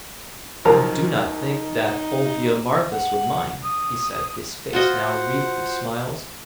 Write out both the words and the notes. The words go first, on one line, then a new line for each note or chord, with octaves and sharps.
"I do not think that Olvia Marthis would mind," he said, his face now wreathed with smiles.
C2 F3 F#3 D#4 A#4 A#5
F#5
D#6
F4 F#4 C5 D#5 F#5